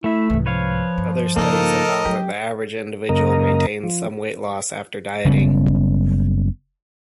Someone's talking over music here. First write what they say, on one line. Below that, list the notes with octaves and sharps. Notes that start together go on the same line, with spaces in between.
Other studies have found that the average individual maintains some weight loss after dieting.
A3 E4 E5
C2 G#2 E3
F3 B4 C#5 F5
G2
G2 C#3 A#3 D#4 F4 A4 A#4 D#5
F#3 C#4 G4
F#2 C#3 A#3 A#4 D#5
F3
F#1 C#3 G3 B3